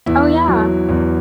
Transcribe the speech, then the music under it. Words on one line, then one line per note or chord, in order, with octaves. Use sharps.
Oh, yeah.
E2 E4
F#3
E2